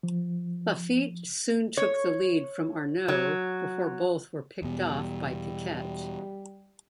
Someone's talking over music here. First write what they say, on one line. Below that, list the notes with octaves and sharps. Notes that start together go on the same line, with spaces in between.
Laffite soon took the lead from Arnoux before both were picked-off by Piquet.
F3
C#5
F#3
E2 B2 G3